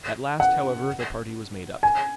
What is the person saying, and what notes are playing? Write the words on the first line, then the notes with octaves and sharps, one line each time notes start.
At last, however, the party was made up.
F#5
G#5